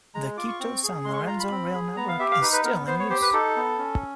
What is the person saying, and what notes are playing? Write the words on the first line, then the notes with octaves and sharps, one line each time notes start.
The Quito - San Lorenzo rail network is still in use.
G#3 A#5
F4 D6
C#6
C4
G#4
G#3 C6
C#6
C6
F4 A#5
B5
C4
G#4
B3 A#5
F5
G4 E5
F5
D#4 B4
B4
B3 A#4
B3 C5
C#5
G4 C5
B4
D#4 A4
B3
C#4